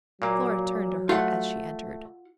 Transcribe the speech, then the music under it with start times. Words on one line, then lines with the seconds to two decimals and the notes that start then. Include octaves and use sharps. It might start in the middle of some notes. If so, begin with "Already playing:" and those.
Flora turned to her as she entered.
0.22 A#2 F#3 A#3
1.09 A3 F4 F#5